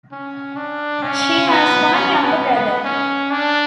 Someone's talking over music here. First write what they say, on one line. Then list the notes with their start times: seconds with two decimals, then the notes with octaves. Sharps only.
She has one younger brother.
0.12 C#4
0.56 D4
1.02 C#4
1.49 B3
1.94 C#4
2.24 B3
2.55 B3
2.84 C#4
3.31 D4